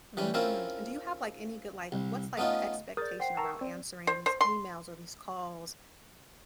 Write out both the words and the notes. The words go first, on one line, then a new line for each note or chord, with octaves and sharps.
Mm, do you have, like, any good like, what's, like, the expectation around answering these emails or these calls
E3 G3 C#4
C4 C#4 E4 F4 A#4
C2
A3 B3 C#4 D#4 F4
G#4 A#4 D5 D#6 G6 A6
C5 F#5 G5 C7
A#4 A5 A#5 C#6 E6
C4 D5
C5
C5
C6